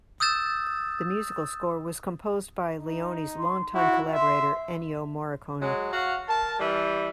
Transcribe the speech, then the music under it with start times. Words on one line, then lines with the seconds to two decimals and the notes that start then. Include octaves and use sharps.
The musical score was composed by Leone's long-time collaborator, Ennio Morricone.
0.20 D#6 E6 G6 A6 E7
2.80 D#4
3.36 C6
3.75 E4 F#4
4.14 E5 C6
5.61 F#3 G#3
5.91 F#4 F5
6.27 A#4 A5
6.59 E3 G3